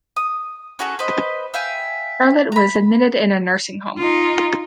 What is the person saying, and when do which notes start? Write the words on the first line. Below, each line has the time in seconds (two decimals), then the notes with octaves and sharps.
Charlotte was admitted in a nursing home.
0.16 D#6
0.79 C#4 F#4 G#4 A4
0.99 B4 C5 D#5
1.54 E5 F5 G5 G#5
2.52 A#5 B5
3.99 D#4 F4